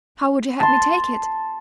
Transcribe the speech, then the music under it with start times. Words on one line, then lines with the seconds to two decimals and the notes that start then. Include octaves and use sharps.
How would you have me take it?
0.60 A5 C6